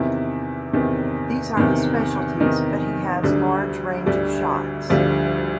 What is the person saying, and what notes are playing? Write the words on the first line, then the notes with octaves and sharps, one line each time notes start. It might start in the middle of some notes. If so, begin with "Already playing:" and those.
These are his specialties, but he has large range of shots.
Already playing: E2 C3 D#3 E4
E2 C3 D#3
E2 C3 D#3
E2 C3 D#3 D#4
D2 D3 G3
D2 D3 G3
D2 D3 F3 G3 F4